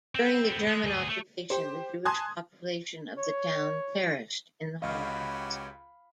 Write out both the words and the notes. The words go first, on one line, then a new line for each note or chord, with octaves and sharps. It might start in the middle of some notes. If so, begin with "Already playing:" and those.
During the German occupation the Jewish population of the town perished in the Holocaust.
C4
B3 C4
G#3
D2 G#4
A3
G4 C5
G#5 A5 C6 D#6 F#6 G#6
C#5
C#2 C#4 F#4 G4 D#5 F5 B5